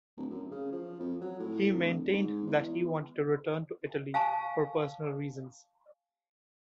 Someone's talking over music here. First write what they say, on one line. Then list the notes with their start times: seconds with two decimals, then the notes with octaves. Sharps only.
He maintained that he wanted to return to Italy for personal reasons.
0.17 D1
0.30 F#2
0.51 C#3
0.72 F3
1.00 F2
1.21 F#3
1.39 A2
1.72 D1
2.12 G#2
2.46 E2
4.14 F5 G#5 A5 C#6